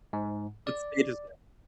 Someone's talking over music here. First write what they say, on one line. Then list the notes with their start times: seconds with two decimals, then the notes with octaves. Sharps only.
what state is that?
0.13 G#2
0.67 D5